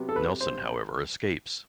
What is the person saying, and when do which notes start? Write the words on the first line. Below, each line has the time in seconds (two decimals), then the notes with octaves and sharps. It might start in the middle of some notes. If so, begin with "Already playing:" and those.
Nelson however escapes.
Already playing: C3 F#3 B3
0.09 A4
0.16 B4
0.41 C5